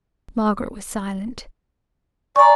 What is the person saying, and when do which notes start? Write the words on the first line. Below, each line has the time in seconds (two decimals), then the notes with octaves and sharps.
Margaret was silent.
2.36 D5 G#5 A#5 C#6